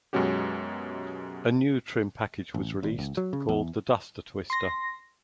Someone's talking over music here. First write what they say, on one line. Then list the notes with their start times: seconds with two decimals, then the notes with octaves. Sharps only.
A new trim package was released, called the Duster Twister.
0.13 F#2 B2 G#3 C#4 F#4 G4
2.54 A1
2.83 G#1
2.99 C#2
3.17 F#3
3.33 C#3
3.49 E2
4.50 C6 A#6